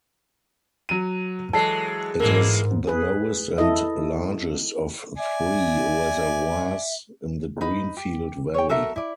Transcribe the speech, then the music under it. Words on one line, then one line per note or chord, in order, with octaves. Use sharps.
It is the lowest and largest of three reservoirs in the Greenfield Valley.
F#3 D#7
E3 F#3 G#3 A4 A5 C7
G#2 E3 G#3 A#3 A#4
G#4 B4
E4 A4 D#5
D5 E5 G#5
D#4 B4 B5
G4
C#5 G5
F#4 A4 A#4 E5
E4 D5